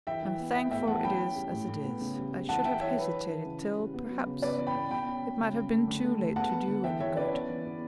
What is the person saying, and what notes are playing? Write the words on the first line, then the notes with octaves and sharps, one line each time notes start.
I'm thankful it is as it is; I should have hesitated till, perhaps, it might have been too late to do any good.
E3 E5 G5
E3
B3
B3 E5 G5
A2 E5 G5
E3 F#5 A5
C#4 G5 B5
C#4
G3
A2
A2
B3
C#3
G3
G3
E3 F#5 A5
E3 E5 G5
E3 C#5 E5
E3 B4
E3
E3
C#3
C#3
G3
B3
F#3
C#3
B3 B4 D5
E3
G5 B5
B3
B2 G5 B5
C#4
B2
C#3
C#3
A3
D3
A3
D3
B3 F#5 A5
B3
D3
E3 E5 G5
E3 C#5 E5
C#4 B4 D5
B3
E3
B3